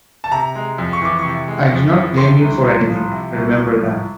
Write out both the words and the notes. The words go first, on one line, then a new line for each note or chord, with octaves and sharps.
I do not blame you for anything; remember that.
A5
C3 A#5
G#3
F2
C#6
E3 D6
C#6
C3
G#3
F2
E3
C3 C6
C2
C2
F3
C3
C2
C2
F3